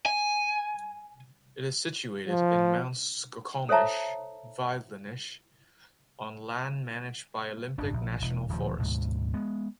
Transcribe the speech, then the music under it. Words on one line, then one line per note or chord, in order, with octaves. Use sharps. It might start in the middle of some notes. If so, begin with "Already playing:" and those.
It is situated in Mount Skokomish Wilderness on land managed by Olympic National Forest.
G#5
F3
A4 C5 C#5 E5 A5 A#5
F#1 G#2 C#3 D4
A#1
E1
D1 A#2 F3
D2 G#2 B2
G#3 B3